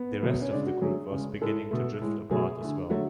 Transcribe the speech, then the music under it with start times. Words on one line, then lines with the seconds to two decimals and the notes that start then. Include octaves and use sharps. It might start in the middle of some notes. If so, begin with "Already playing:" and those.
The rest of the group was beginning to drift apart as well.
Already playing: B3
0.22 B2 F#3 A3
0.31 B3
0.41 C#4
0.51 C#3 G#3 D4
0.67 F#4
0.81 D3 F#3 A3 G#4
1.12 C#3 G#3
1.41 A2 G#3 A4
1.71 B2 A3
2.01 A2 G#3
2.31 B2 F#3 A3 G#4
2.61 D3 A3
2.90 D3 F#3 A3 F#4